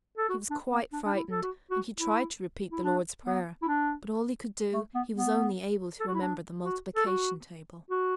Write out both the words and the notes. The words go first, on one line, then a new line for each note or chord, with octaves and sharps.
He was quite frightened, and he tried to repeat the Lord's Prayer; but all he could do, he was only able to remember the multiplication table.
A4
F#4
D4
B3
D4
D4
E4
A4
F#4
F#4
E4
E4
D4
B3
E4
D4
A3
B3
B3
A4
F#4
E4
D4
F#4
A4
F#4
F#4